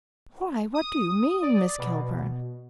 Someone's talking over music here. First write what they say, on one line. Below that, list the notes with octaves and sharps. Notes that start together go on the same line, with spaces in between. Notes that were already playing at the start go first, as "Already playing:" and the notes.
"Why, what do you mean, Miss Kilburn?"
D#6
D5
B2